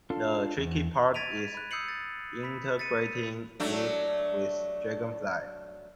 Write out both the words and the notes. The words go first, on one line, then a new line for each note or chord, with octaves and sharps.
The tricky part is integrating it with Dragonfly.
D4 F4 A4
E2
G#6 A6 B6 D7 D#7 F7
B5 F#6
D#6 E6 G6 C7 C#7 F#7
A6
B5 B6
A6 B6 C#7 D#7
F#3 A3 D4